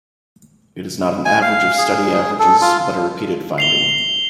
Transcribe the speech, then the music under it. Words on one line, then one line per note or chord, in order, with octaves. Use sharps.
It is not an average of study averages but a repeated finding.
G#5
F5
G#4
G#4
A4
F4
C7 F7 G7